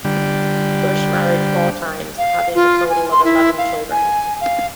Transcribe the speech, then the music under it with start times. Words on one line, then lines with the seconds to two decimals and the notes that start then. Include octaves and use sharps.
Busch married four times, having a total of eleven children.
0.05 D3 G3
2.18 F5
2.55 F4
2.90 G#5
3.12 C6
3.25 E4
3.58 F5
3.91 G#5
4.41 F5